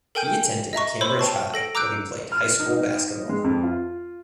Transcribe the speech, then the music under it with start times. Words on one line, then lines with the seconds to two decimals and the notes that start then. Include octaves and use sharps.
He attended Cambridge High where he played high school basketball.
0.15 A4 A#4 G5 G#5 G6
0.73 D#5 E5 A#5 C#6
1.01 C5 C#5 B5 C6 E6
1.19 G5 A5 C#6
1.54 A4 A#6 D7
1.75 A#5 D6 E6 F#6 G6 D7
2.32 F6
2.59 D#4
3.29 G#3
3.44 F2
3.64 F4